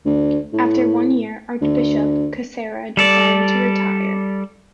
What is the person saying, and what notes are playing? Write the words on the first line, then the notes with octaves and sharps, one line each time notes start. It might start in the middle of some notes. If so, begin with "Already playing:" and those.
After one year, Archbishop Kucera decided to retire.
D2
A2
D2
G3 A4 D5